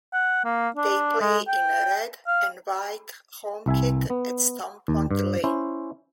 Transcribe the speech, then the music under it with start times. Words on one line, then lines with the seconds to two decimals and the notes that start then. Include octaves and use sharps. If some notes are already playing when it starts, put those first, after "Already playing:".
They play in a red and white home kit at Stompond Lane.
0.13 F#5
0.44 A#3
0.76 D4
1.21 G#3
1.48 G5
2.27 F5
3.66 C2 E5 G#5
4.10 B3
4.88 D#2
5.11 G2
5.44 C#4 E4 C5